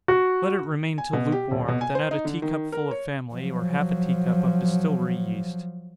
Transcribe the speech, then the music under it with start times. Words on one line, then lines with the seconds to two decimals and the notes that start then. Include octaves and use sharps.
Let it remain till lukewarm, then add a tea-cup full of family, or half a tea-cup of distillery yeast.
0.08 F#4
0.98 G#5
1.13 B2
1.32 G4
1.51 D#1
1.68 B2
1.81 G#5
1.95 C5
2.11 D#4
2.25 D3
2.42 D#3
2.72 A#4
2.91 C#5
3.34 F3 F#3